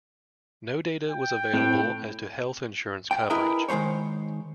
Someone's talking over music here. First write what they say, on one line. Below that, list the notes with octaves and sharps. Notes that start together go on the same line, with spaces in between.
No data was available as to health insurance coverage.
G5
A2 C4
G5
E4 G#4 A#4 B4 D#5
D#3 G#3 A3 C5 C#5